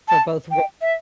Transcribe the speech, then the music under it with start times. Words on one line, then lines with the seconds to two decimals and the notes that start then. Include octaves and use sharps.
for both work
0.08 A5
0.51 G5
0.81 E5